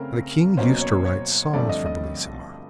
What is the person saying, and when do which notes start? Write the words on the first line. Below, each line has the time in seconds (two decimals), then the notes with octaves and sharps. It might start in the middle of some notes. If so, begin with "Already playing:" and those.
And the King used to write songs for Bellissima.
Already playing: C#3 A3 C4 A#4
0.57 B2 F#3 A#3 C#4 C5
0.81 C#5
1.05 C#5
1.53 G2 D3 F3 A3 C4 D5
1.69 D#5
1.86 D#5